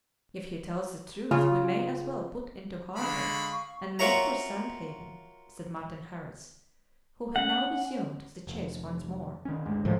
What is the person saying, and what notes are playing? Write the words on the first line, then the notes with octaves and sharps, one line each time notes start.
"If he tells the truth we may as well put into harbor and make for Sand Haven," said Martin Harris, who had now resumed the chase once more.
C#3 F4
D3 G#3 F5 B5 C#6
F4 F#4 A#4 C#5 E5 A#5
C#4 F#5
F1
D#3 C#4
G1 D2 G#3
A2 D#3 F3 F#3 G#3